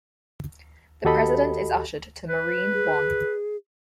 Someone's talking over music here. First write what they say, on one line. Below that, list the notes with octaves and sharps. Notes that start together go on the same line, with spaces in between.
The President is ushered to Marine One.
D#2 F#4 G4 A4 D#5 B5
B4
G#4